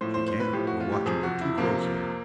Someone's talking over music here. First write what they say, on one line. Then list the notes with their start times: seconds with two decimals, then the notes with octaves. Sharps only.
"She can't--we're watching her too closely."
0.01 A2 F3 C5
0.14 C5
0.28 C5
0.40 B4
0.53 A2 F3 G4
0.67 F#4
0.80 F4
0.92 G4
1.06 F2 C3 F3 G#4
1.23 F#4
1.41 E4
1.58 F2 C3 F3 A#3